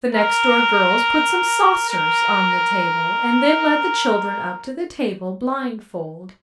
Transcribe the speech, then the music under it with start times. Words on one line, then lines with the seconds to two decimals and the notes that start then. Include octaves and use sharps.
The next-door girls put some saucers on the table and then led the children up to the table, blindfold.
0.15 A#4
1.90 A#4